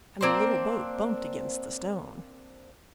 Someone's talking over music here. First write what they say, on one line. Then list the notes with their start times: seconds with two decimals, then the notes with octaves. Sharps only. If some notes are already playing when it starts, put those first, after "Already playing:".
And the little boat bumped against the stone.
0.21 A#3 C4 D4 C5